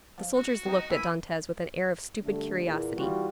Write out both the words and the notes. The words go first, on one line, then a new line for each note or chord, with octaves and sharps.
The soldiers looked at Dantes with an air of stupid curiosity.
F3
F#4
B2 F#3 C4 D#4
B2 D#3 E4 G#5 B5
D3 G3 A3
E2 A#2
E3 G3 F4 F#4